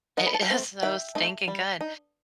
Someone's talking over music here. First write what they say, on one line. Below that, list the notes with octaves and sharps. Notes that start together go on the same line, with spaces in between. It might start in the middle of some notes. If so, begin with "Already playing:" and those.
It is so stinking good.
D#3 D#5 F#5
B5
A5
G5
A3 C4
D#3 E5 G5
A3 C4 D#4
G3
D#4